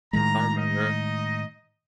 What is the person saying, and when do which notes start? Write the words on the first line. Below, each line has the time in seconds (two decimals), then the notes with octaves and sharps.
I remember.
0.13 A2 D#3 G#3 A#5
0.57 D#4 D#5